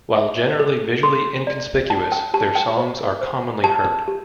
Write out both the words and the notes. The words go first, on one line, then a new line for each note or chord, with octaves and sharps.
While generally visually inconspicuous, their songs are commonly heard.
E5
A4
A4 C6
D5
G5 A5
G5
G4 A5
G5
C5
C5
G4 A5
G4